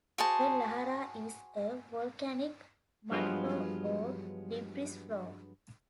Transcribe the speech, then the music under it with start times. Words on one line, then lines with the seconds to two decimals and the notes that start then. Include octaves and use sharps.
A lahar is a volcanic mudflow or debris flow.
0.18 F#4 G#4 C5 A5
3.11 G2 F3 F#3 G#3 B3 F4